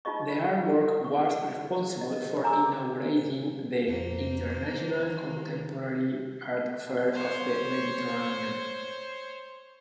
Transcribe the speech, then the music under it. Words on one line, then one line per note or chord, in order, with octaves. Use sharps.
The artwork was responsible for inaugurating the "International Contemporary Art Fair of the Mediterranean".
D#4 F4 F#4 D#5 C#6
C#6
D#5
D5 G#5 A#5 C6 D6 E6
F2 A#3 C5
D#3
C5 C#5